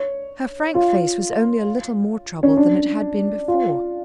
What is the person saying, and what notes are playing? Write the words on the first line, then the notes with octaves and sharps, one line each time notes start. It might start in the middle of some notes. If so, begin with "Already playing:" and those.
Her frank face was only a little more troubled than it had been before.
Already playing: C#5
F4
C#4
D4
F4